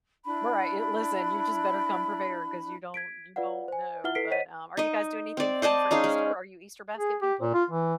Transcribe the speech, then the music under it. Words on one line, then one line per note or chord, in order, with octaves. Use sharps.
Well, right, i listen, you just better come prepared 'cause you don't you don't know, but, um, are you guys doing anything fun for Easter? Are you Easter basket people?
D4 E4 B5
G#6 B6 D7
F4 B4 D5 F5 F#5
C5 G#5
E4 F4 E5 F#5 F6 G7
E4 A4 B4 B6 C7 D7
C5 C#5 D#5 F#5 B6 D#7
D#4 D#5
C4 D5
C5 D5 D#5 A5
C#4 D#4 G#4 F5
G#3
G#4
G4
A#2
F4
E3